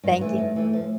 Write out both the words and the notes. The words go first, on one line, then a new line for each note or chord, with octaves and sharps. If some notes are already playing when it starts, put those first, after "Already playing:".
thank you.
G2
E3 A3
G2
E3 A3
F3